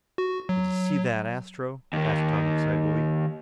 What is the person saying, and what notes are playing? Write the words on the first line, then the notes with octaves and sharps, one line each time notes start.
"Did you see that, Astro?" asked Tom excitedly.
F#4
F#3
D#2 D#3